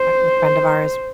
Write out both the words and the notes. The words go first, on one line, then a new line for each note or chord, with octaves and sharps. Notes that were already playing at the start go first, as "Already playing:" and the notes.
the friend of ours
Already playing: C5